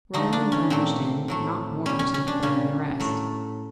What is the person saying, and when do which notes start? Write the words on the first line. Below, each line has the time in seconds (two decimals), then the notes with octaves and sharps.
Roland lounged in, not more presentable than the rest.
0.14 D3 F3 A3 D#4
0.33 D4
0.52 C#4
0.70 A#2 F#3 A3 C4
1.28 A2 F#3 A3
1.86 B2 G3 C#4
1.99 C#4
2.14 C#4
2.28 D4
2.43 A#2 G3 C#4
3.00 A2 F#3 A3